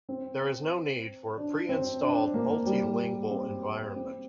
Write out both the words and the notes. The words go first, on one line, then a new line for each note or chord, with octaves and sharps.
There is no need for a pre-installed multi-lingual environment.
C4
D4
C4
D4
A#3
G3
C4
C4